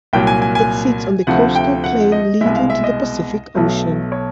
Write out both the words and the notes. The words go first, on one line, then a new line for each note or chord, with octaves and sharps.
It sits on the coastal plain leading to the Pacific Ocean.
C2 A#2 F#3 G5
G#5
G#5
G#5
D2 C3 F3 A3 F#5
G5
F#5
D#5
C2 B2 G#3 E5
F5
E5
D#5
B1 B2 F#3 A3
C#5